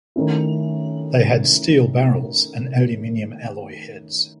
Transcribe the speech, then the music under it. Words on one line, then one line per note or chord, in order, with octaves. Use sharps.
They had steel barrels and aluminium alloy heads.
D#3 A3 C#4 E4